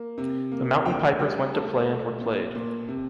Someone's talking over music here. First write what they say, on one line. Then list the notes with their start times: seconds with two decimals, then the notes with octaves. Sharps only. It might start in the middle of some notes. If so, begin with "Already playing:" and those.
The mountain pipers went to play and were played.
Already playing: A#3
0.18 C3
0.52 A#3
0.85 D2 G5
1.19 G3
1.53 A3 A5
1.87 A3
2.21 A#2
2.55 A#2
2.88 C3